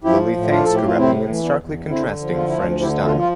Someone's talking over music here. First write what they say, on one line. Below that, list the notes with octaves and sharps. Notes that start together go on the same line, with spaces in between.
Lully thanks Corelli in starkly contrasting French style.
F3 E4 G4
A2
D4 F4
A2 A4
G4
F4
C3 C4 E4
E3
B3 D4
E2
D3 C4 E4
F3
F4
D2 E4
D4 F4
D3 E4 G4
F4 A4
F3
F4